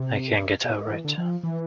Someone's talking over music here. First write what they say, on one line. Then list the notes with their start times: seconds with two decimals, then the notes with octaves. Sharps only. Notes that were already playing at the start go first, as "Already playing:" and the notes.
I can’t get over it.
Already playing: C3
0.64 B2
0.90 E3
1.05 D3
1.18 F3
1.43 E3